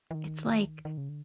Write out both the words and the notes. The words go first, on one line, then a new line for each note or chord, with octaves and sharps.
it's like
E3
D#3
D#3
C#3
D3